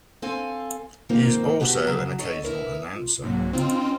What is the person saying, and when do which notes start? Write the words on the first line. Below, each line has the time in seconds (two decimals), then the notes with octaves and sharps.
He is also an occasional announcer.
0.22 C4 A4 F5 G#5
1.09 G#2 D#3 F3 A#3 C4
1.60 A3 B3 F#4 G4
1.87 C#3 F#3
2.19 A4 C#5 D#5
2.43 E4 A#4 B4
2.95 F4
3.22 C2 G#2 F#3 A#3
3.53 C#3 C4 D#4 F4
3.66 C#4